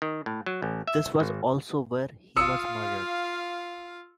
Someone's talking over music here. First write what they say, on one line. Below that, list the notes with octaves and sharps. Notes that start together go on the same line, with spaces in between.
This was also where he was murdered.
D#3
A2
F#3
A1
E5
G#1
F4 F5 D#6 E6 C#7